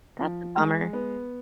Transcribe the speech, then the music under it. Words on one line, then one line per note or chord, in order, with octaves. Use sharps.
That's a bummer.
F3
G#3
B3